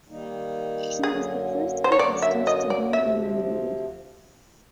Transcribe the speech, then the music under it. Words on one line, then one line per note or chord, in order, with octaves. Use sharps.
He was the first contestant to be eliminated.
D#3 G3 A#3 D#4
F#2 D3 F#3 A#3 G#4
C5
C#5
F#2 D3 F#3 A#3 D5
E5
D#5
D5
D2 C3 F3 E5